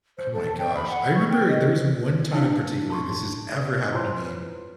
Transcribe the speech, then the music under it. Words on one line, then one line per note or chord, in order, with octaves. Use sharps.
Oh my gosh, I remember there was one time in particular this has ever happened to me,
C5
A4
G5
B5
F#5
C#6
G5
D#5
D4 E4 F5 G#5 A5
A5 C6 C#6
E4 F4 C5 C#5 G#5 C6
B4